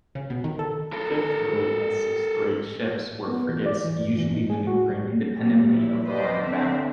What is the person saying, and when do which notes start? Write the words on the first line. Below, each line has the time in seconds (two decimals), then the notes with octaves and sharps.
Fifth-rate and sixth-rate ships were frigates usually maneuvering independently of the line of battle.
0.15 C#3
0.30 B2
0.44 D#3
0.59 A4
0.93 A4 A#4
3.27 B3
3.48 E3
3.66 D5
3.84 E3
3.96 G2
4.17 E3
4.34 D#4
4.50 G#4
4.67 F#4
4.89 G3
5.35 A#2 F#3 G3 A#3
5.75 E4
6.04 B4 C5 D5 D#5
6.40 D3 C4 E5